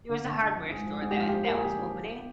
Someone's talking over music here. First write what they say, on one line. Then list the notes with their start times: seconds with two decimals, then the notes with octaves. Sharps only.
It was a hardware store that that was opening.
0.09 D3
0.24 D3
0.41 D3
0.55 F2
0.71 G#2 G#4
0.86 F3
1.02 G#2 G#4
1.11 G4
1.18 F3 F4
1.29 F3 G4
1.44 A#2 A#4
1.55 G#4
1.64 F3 G4
1.79 F3
1.95 F3